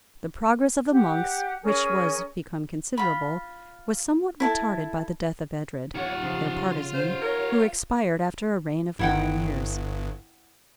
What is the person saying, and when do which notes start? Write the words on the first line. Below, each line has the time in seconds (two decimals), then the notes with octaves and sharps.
The progress of the monks, which was become considerable, was somewhat retarded by the death of Edred, their partisan, who expired after a reign of nine years.
0.91 G4 F#5
1.61 C#4 G#4 A#4
2.98 F4 B5
4.40 E4 A4 A5
5.95 F4 C#5 F#5
6.23 C#3 F3 C6
6.94 C5
7.21 A#4 C#5
8.99 G1 E4 F#5 G5